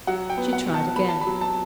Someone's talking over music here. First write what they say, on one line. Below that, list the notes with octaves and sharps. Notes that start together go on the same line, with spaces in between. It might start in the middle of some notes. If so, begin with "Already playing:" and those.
She tried again.
F#3 F#5
G5
B3
F#5
B2
A5
B3 B5
A5
B5
F#3
A5